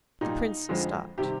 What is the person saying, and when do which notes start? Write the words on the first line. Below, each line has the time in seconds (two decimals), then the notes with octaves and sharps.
The prince stopped.
0.21 A#2 G3 D#4
0.69 F2 D3 F3 G#3
1.18 C3 D#3 G3 G4